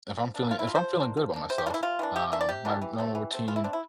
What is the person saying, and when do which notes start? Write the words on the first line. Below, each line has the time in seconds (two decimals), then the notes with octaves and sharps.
if I'm feeling if I'm feeling good about myself, um, r my normal routine
0.17 F3
0.34 A#3 D4
0.51 F3 F4
0.59 E4
0.67 A#3 D4 F4
0.75 C5
0.83 F3
1.00 A#3 D4
1.17 F3
1.34 A#3 D4
1.50 C3 C5
1.58 G4
1.66 E3 A#3 D4 F4
1.74 E4
1.83 C3 F4
1.99 E3 A#3 D4
2.16 C3 G4
2.32 E3 A#3 D4 E5
2.41 D5
2.49 C3 G4
2.65 E3 A#3 D4
2.82 E3
2.98 A3 C4
3.15 E3
3.31 A3 C4
3.48 E3 F4
3.56 E4
3.64 A3 C4 D4
3.73 E4